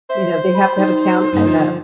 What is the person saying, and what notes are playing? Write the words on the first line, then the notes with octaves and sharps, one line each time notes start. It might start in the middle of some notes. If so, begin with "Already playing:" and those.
You know, they have to have a count, ah, uh,
C5 E5
B5
D#4
G2 C#3 A#3 D#4
D3 F3